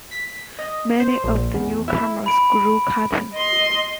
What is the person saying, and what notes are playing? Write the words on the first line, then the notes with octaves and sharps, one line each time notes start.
Many of the newcomers grew cotton.
B6
D#5
C5
A#1
E2
E4
B5 D7
D#5 C6